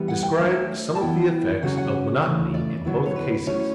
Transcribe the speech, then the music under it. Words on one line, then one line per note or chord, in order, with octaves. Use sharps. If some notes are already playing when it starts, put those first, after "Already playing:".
Describe some of the effects of monotony in both cases.
Already playing: E3 G3 B3
F#5
G5
F#3 A3 D4 E5
A5
E3 B3 E4 G5
C#3 F#3 C#4 F#5
F#5
C#3 E3 A3
D5
D3 F#3 B3 E4
C#5
B4
F#3 A3 C#4 E4 C#5